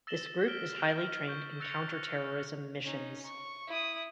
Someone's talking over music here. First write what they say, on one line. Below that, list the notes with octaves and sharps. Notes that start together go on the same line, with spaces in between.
This group is highly trained in counter-terrorism missions.
E6 A6 A#6 E7 F#7 G7
F6 B6 D7 G7
F6
C#6 G6
E6 F#6 A6 A#6 C#7 F7
G6
C#4 D#4
C#6
E4 D#6